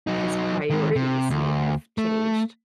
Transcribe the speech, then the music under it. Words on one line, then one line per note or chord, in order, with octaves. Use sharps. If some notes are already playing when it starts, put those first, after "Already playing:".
his priorities may have changed.
F#3 D#4
D#3 G#3
C3
D2
A3